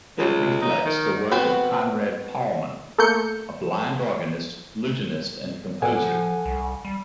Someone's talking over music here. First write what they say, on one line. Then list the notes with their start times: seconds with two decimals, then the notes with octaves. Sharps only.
It reflects the work of Conrad Paumann, a blind organist, lutenist, and composer.
0.19 C#2
0.62 D#4
0.85 D#3
1.31 B3 C4 F#4 B4
2.98 A3 A#3 G6 C#7
5.82 A2 A4 F#5 G#5
6.02 F3
6.45 C2
6.85 G3